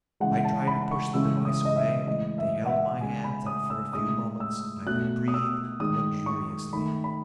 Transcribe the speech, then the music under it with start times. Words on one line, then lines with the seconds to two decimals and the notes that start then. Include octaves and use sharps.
I tried to push the device away. They held my hands, and for a few moments I could breathe luxuriously.
0.20 C#3 E3 G#3 F#5
0.45 A5
0.67 B5
0.81 B5
0.91 C#6
1.14 C#3 E3 G#3 E6
1.45 D#6
1.65 D#5
1.76 E5
2.07 A2 E3 G#3 D#5
2.38 E5
2.65 F#5
2.69 E5
3.00 C#3 G#3 G#5
3.24 B5
3.46 D#6
3.70 E6
3.93 A2 G#3 D#6
4.40 E6
4.86 B2 A3 F#6
5.28 D#6
5.34 E6
5.80 D#3 G#3 D#6
6.26 C#6
6.73 D#3 A3 B5
7.04 B5